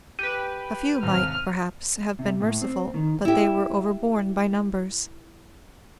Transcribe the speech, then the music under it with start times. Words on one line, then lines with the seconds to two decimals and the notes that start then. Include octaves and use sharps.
A few might, perhaps, have been merciful, but they were overborne by numbers.
0.19 G4 B4 D#7
1.03 D#2 G#2 C3 F6
2.19 C3
2.40 A2
2.62 C4
2.94 D#3
3.25 E4 G4